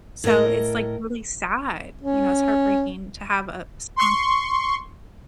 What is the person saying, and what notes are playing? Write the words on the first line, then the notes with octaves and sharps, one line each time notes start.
So it's like, really sad, you know, it's heartbreaking to have a skunk
A2 A#4 D#5
C#4
C6 C#6